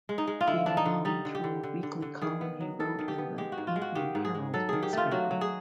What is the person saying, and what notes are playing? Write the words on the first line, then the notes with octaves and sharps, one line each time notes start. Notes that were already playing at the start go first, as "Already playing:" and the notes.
B. Malone through a weekly column he wrote in the "Evening Herald" newspaper.
G#3
D#4
G#3
F4
D3 E4
F3 D4
D#4
D3
G3 D#4
D3
G4
D3
D3
D3
D3
D#3 G#4
B3
F#3
D#3 A4
D#3
G4
B3
G#3 G4
F#4
G#2
F4
G#3
F#4
D#3 G4
G#2
G#4
G#3
F#3 A4
D#3 G#4
G4
A3 F4
F#3 F#4
F#3
G#4